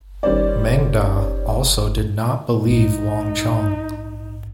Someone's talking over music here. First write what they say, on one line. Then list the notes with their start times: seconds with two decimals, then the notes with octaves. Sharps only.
Meng Da also did not believe Wang Chong.
0.23 D#3 G3 C#4 C5 D5
2.66 A#1 G#2 D#4